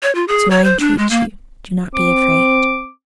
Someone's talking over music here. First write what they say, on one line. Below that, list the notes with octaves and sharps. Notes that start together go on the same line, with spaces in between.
So I entreat you do not be afraid.
C#5
F4
G#4
C#5
C5
D4
G#3
A#3
C4 D6